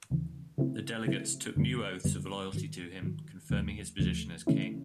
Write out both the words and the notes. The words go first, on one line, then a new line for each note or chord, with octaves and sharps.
The delegates took new oaths of loyalty to him, confirming his position as king.
D#2 C#3 E3
C#3 F#3 A3 C4 E4
C#3 F#3 A3 C4 E4
F#2 D3 G3 B3
F#2 D3 G3 B3
G#2 D#3 F#3
G#2 D#3 F#3
D#2 C#3 F3 A3
D#2 C#3 F3 A3
C#3 E3 A3 C#4 E4